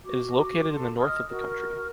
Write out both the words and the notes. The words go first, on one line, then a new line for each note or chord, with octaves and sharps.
It is located in the north of the country.
F#4 D6
A4 C6
D#5 D#6 F6
F#4 A#4